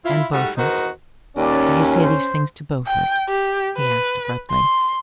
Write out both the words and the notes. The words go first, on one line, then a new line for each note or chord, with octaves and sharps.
"And Beaufort--do you say these things to Beaufort?" he asked abruptly.
E4 F4
G#2 G3 A3 F#4
E2 D#3 D#4 F#4 A#4 C5
D#2 C#4 D5
C5
G5
G4
B4
C6